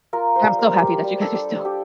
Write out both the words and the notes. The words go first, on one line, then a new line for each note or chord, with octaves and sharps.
and I'm so happy that you guys are still
F4 A#4
C5
G3
A#4
G3
G4
G3
A4
D4 G4
D4 G4